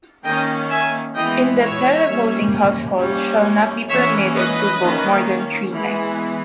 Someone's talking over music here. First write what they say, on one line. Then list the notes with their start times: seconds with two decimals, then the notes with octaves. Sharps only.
In the televoting household shall not be permitted to vote more than three times.
0.24 D#3 A#3 C#4 D#5 G5
0.69 E5 G#5
1.15 E3 G#3 B3 D#5 G5
1.61 C#5 E5
2.06 G3 A#3 C#4
2.97 G3 A#3 C#4
3.89 E3 A#3 C#4 C#5 E5
4.34 B4 D#5
4.81 D#3 A#3 C#4
5.72 E3 G#3 B3